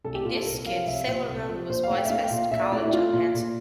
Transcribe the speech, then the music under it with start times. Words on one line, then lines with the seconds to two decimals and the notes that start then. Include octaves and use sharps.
In this skit, Sailor Moon was voiced by Scarlett Johansson.
0.04 C2 A4
0.15 G4
0.25 A#2 F4
0.35 A4
0.46 C2 A#4
0.66 F3 F5
0.76 F5
0.86 C2 E5
1.07 A#2
1.29 C2
1.49 F3
1.69 A#2 C5
1.83 F5
1.90 A3
1.97 G5
2.05 E5
2.10 A3 F5
2.23 G5
2.30 A#2
2.37 F5
2.51 A#2 E5
2.61 D5
2.72 A3 D5
2.82 E4
2.93 A3 F4
3.13 A#2
3.34 A#2